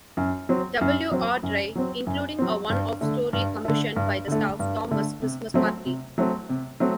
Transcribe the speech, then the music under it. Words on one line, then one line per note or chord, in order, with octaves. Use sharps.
W. Awdry, including a one-off story commissioned by the staff, "Thomas' Christmas Party".
F#2
F#3 C4
F#2
F#3 C4
F#2
F#3 C4
F#2
F#3 C4
G2
D3 A3
G2
D3 A3
G2
D3 A3
G2
D3 A3
C3
F#3 A3 C4
C3
F#3 A3 C4
C3
F#3 A3 C4